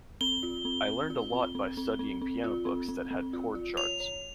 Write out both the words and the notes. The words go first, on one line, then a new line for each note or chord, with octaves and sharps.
I learned a lot by studying piano books that had chord charts.
C4 G7
F4
C4
C4
F4
C4
C4
C4
C4
C4
F4
C4
C4
C4
F4
F4
C#5 F7
C#5